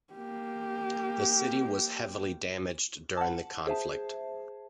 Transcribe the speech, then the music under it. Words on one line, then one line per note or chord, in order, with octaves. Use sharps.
The city was heavily damaged during the conflict.
A#3 G4
F#5 A5
G#4 C5 E5 A5